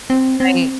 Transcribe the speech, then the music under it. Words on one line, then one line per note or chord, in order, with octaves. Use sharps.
R right.
C4
C4